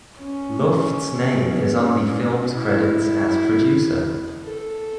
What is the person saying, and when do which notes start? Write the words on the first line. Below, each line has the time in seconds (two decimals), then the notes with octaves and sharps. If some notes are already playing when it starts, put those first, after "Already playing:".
Luft's name is on the film's credits as producer.
0.19 C#4
1.35 B3
1.73 C#4
2.51 E4
3.27 E4
4.44 A4